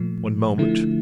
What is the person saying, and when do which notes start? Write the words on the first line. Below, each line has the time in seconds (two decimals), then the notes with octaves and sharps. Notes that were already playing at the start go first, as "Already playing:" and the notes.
One moment.
Already playing: A#2 F3 A3
0.58 D3 F3 A3 E4